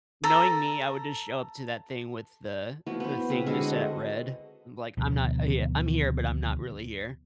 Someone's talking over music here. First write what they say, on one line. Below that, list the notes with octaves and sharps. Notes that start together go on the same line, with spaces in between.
Knowing me, I would just show up to that thing with the the thing just set at red, like, I'm not yeah I'm here, but I'm not really here.
A4 A#5
F3 B3 E4 F#4
B3 C5
C#3 C4 B4
D3 G#3 F#4 A4
D#5 F#5
D2 B2 D#3 F3